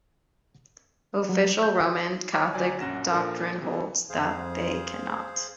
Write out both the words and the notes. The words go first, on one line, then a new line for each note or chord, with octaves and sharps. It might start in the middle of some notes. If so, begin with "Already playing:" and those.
Official Roman Catholic doctrine holds that they cannot.
F#3
G6
C#5 B5 D6
D2 F#3 D5 G#5
A#1 F#2 C#4 F#5 A#6 E7
A#2 F3 D4 A4 A#4
C3 E3 B3
F2 G#4 C5 F5